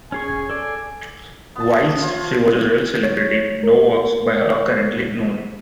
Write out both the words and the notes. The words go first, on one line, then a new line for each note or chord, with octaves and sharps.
Whilst she was a real celebrity, no works by her are currently known.
C#4 G#4 G#5 C#6
A4 D5
B3 A5
F4 C5 C#5 E5
C#5
A#4